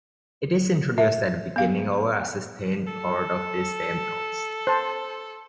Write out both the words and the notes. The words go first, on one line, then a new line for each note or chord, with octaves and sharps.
It is introduced at the beginning over a sustained chord of these same notes.
E5
B3 F5
A4
C5 A5